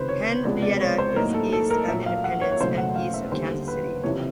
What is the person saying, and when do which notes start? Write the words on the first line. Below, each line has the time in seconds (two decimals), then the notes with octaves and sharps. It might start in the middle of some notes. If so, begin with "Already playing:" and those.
Henrietta is east of Independence and east of Kansas City.
Already playing: C#2 C3 D#3 B4 C5
0.09 C#5
0.45 C#2 C3 F3 G#3 B3 D5
0.62 D5
0.81 C#5
0.98 C5
1.16 A2 F#3 A#3 D#4 A#4
1.34 A4
1.53 A4
1.70 A#4
1.88 A#1 A#2 F#3 E5
2.06 F5
2.24 F#5
2.41 C#5
2.52 C#5
2.60 F#1 E2 B2 F#3 A3 C5
2.78 F#5
2.96 F5
3.14 E5
3.32 D#2 D3 G3 C5
3.68 B4
4.04 F#1 F2 C3 E3 C#5